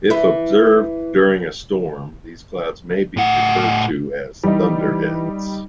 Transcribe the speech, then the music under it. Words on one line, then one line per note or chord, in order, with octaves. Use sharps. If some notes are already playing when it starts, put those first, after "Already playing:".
If observed during a storm, these clouds may be referred to as thunderheads.
E3 E4
A2 F#5
E3 G3 D#4